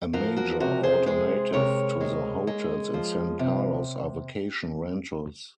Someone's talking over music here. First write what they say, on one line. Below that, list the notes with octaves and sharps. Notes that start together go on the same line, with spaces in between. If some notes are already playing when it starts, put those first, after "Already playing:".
A major alternative to the hotels in San Carlos are vacation rentals.
F3 F#4 A#4
F#4 A#4
C3 F#4 A#4
G#4 C5
G#3 G#4 C5
C3 A#4 C#5
G#3
G#3
F3
C3